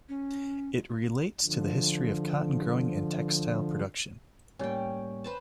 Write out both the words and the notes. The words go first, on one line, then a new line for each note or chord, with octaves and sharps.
It relates the history of cotton growing and textile production.
C#4
D3 F3
A2 G3 A#3 C#4 G5
B4 C5 A5